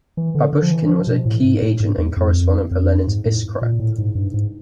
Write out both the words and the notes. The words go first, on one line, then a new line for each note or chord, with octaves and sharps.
Babushkin was a key agent and correspondent for Lenin's "Iskra".
E3
D3
D3
F3
E3
F3
B2
A2
G#2
A2
G#2
E2
F2
F2
G#2
A2
A#2
A2
G#2
G2
G#2